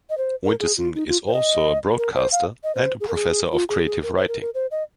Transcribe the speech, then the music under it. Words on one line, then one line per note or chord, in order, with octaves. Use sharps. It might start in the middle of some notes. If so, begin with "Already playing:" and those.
Winterson is also a broadcaster and a professor of creative writing.
D#5
C5
A#4
G#4
F4
D#4
F4
C5
D#5
A#4
C5
F5
D#5
C5
G#4
A#4
G#4
F4
G#4
G#4
A#4
C5
A#4
A#4
C5
D#5